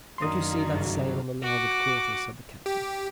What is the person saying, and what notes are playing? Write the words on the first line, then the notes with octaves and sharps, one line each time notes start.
"Don't you see that sail on the larboard quarter?" said the captain.
F#2 D#3 F#3 A#3 D4 F5 C6 D#6
F#1 C#2 G2
F#4 D6
G4